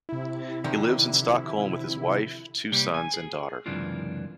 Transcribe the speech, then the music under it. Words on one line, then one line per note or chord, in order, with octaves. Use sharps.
He lives in Stockholm with his wife, two sons and daughter.
C3 E4
D3 D#3 F3
C3 G3 A#3 G4
G#5
G#4
C#2 F#2 C3 E3 D4 F4